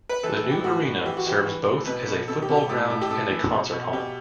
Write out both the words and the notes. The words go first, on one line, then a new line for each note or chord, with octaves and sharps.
The new arena serves both as a football ground and a concert hall.
B4
E3 A4
A4
E3
G4
A2 F#4
A2
E3 G4
F#4
E3 G4
E3
A2
B2 B4
B2
B2 A4
G4
B2
G4
A2 A4
A2
G4
A2 A4
E3
B2
B2
B2 G4